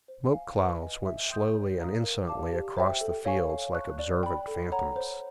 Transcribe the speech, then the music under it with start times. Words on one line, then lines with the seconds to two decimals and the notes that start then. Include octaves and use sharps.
Smoke clouds went slowly and insolently across the fields like observant phantoms.
0.08 C5
0.33 F5 G#5
0.57 B4
0.81 D#5 G#5
1.06 E5
1.30 G5 C6 D#6 G6
1.55 C#5
1.79 F5 A#5 D#6
2.04 A#4
2.27 D5 F5 A5 D6
2.52 G4
2.77 C5 E5 G5
3.01 A4
3.25 C#5 F5 G#5 C#6
3.50 F5
3.74 A5 C#6 F#6
3.99 D5
4.23 G5 B5
4.48 A4
4.72 C#5 F#5 A#5
4.96 C5